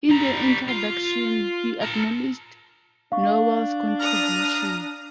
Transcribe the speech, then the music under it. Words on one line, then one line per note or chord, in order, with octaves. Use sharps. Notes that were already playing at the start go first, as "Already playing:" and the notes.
In the introduction he acknowledged Nowell's contribution.
G3 A#5
F4 F5
A#4 A5
D4 F5 C#6
A#5 D#6 F6